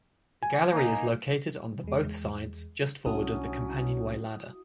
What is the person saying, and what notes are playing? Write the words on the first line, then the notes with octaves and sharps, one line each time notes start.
The galley is located on the both sides just forward of the companionway ladder.
G#5
A#3 D#4
E2 G#3
C2 F#3 C#4 D4 E4 F#4 D#6